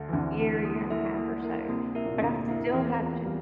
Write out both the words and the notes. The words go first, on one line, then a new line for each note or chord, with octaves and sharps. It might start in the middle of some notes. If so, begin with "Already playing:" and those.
year, year and a half or so, but I still have to
Already playing: D2 D3
E3
D2 D3 C4
E4 A4
A#3
E4 A#4 E5
A#3
E4 A#4 E5
C3 A#3
E4 A#4 E5
A#2
C3
D2 D3 A#3
E4 A#4 E5
E2 E3 C4
F4 A#4
G3 C4